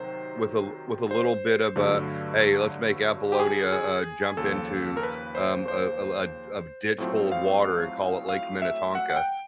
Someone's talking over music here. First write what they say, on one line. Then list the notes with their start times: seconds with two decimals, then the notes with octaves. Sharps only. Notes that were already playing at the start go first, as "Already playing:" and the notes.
with a with a little bit of a, "Hey. Let's make Apollonia, uh, jump into, um, a a l a ditch full of water and call it Lake Minnetonka,"
Already playing: C3 D#3 F#3 C5
1.11 C5
1.76 G2 D3 F#3 A3
3.32 G4
3.39 G#4
3.73 G#4
4.37 D#2 C#3 F3 A4
4.97 A#4
5.03 B4
5.35 C5
5.68 C5
6.98 A2 F#3 A3 C4 F4
7.32 F5
8.29 F5
8.62 E5
8.95 F#5
9.10 F#5
9.16 G5